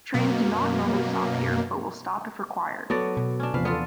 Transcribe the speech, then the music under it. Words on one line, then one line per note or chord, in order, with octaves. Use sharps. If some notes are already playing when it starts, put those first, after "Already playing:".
Trains do not normally stop here, but will stop if required.
F#2 B2 A#3
F#3 B3 F#4 A4 D5
B2
C#4 D4
E2 C3 F3 B4 F5
B3 F4 A4